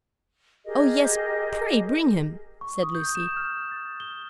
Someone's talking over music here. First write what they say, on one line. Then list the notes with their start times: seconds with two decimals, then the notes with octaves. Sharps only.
"Oh yes, pray bring him," said Lucy.
0.66 G4 G#4 A#4 D#5
2.61 C#6
2.83 D#6
2.95 G6
3.15 E7
3.37 F6
3.71 A6
4.00 G7